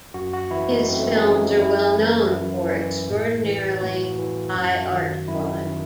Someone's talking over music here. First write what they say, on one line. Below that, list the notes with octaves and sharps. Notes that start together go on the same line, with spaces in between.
His films are well known for extraordinarily high art quality.
F#2 F#4
F#4
E3 E4
D#4
F#2 C4
A3
C4
D#4
E3 C#4
F#2 E4
E3
F#2
E3
A2
E3
A2 F#4
E3
F#2
D#3
F#2 E4
D#3